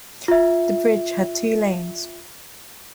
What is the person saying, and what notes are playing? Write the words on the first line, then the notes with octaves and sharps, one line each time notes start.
The bridge had two lanes.
F4 E5